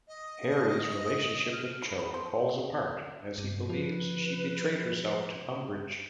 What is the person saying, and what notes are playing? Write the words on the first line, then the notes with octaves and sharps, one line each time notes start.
Harry's relationship with Cho falls apart, as he believes she betrayed herself to Umbridge.
D#5
F6
E4
B4
C5
A4
F5
G2
F3 B4